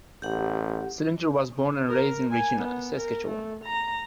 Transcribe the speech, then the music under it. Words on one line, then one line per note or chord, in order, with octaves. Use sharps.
Sillinger was born and raised in Regina, Saskatchewan.
A1 G4 F#5
A#4
G#5
B3
A#4
A3
A#5